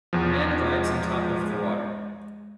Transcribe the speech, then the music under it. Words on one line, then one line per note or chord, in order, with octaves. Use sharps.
A man glides on top of the water.
E2 F3
G#3